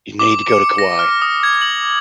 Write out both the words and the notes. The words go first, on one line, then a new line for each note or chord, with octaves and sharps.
You need to go to Kauai.
D6
C#7
A#6
F6
D#6
G#6
F#7